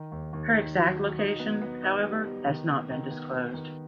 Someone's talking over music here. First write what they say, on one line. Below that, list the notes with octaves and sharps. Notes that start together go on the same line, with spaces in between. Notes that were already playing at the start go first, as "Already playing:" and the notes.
Her exact location, however, has not been disclosed.
Already playing: D#3
D#2
D#2
D#3
F#3
F#3
D#4
B3
B3
D#4
G3
B3
D#3
B3
D#3
B3
B3
D#3